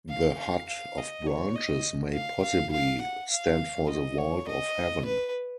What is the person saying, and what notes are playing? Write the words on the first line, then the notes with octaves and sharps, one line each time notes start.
The hut of branches may possibly stand for the vault of heaven.
F5
F5
F5
D#5
C#5
D#5
F5
F5
F5
F#5
F5
D#5
C#5
D#5
B4